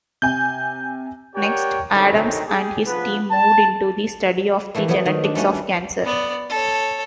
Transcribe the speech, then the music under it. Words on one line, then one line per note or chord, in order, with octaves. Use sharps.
Next, Adams and his team moved into the study of the genetics of cancer.
C3 G#5 G6
G4 A#4 C#5 D5 F#5 G5
D3 D#3 F#3 G#3 C4 D#4
G4 G#4
F3 B3 D4 B4
A5
E3 G3 A3 A#3
F3 F#3 A3 B3
D#3
D4
G3 A3 C#4 F#4
B3 D5
A4 C#5